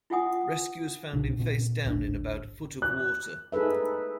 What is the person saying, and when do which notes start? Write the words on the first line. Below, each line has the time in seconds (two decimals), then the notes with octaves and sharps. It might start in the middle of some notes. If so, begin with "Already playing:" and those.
Rescuers found him face down in about a foot of water.
0.10 E4 F4 E5 F#5 G#5 D#6
1.13 B1 A#2 C#3 D4
1.40 A#2 C4
1.85 D1 G#1 D4
2.82 F#6
3.52 D#4 G#4 A4 B4 E5